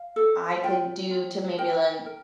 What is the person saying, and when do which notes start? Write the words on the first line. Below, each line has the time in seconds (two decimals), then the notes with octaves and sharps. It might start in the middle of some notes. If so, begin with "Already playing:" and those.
I could do to maybe, like,
Already playing: F5
0.16 A4
0.63 F4 G5
1.11 F4
1.58 A#4 G5
2.06 A#4